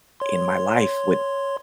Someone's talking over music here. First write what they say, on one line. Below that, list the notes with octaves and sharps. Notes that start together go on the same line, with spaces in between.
in my life, what
C#5 C6